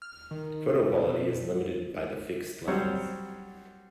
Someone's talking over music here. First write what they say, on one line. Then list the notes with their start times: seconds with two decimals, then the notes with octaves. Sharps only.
Photo quality is limited by the fixed lens.
0.02 F6
0.31 D#3
0.69 B2
2.67 F#3 G3 C4 C5 C#5 F#5